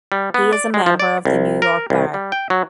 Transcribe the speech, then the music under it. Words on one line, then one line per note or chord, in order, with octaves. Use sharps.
He is a member of the New York Bar.
G3
B3
D5
G#3
F3
D5
C2
A#4
C2
G3
G5
F#3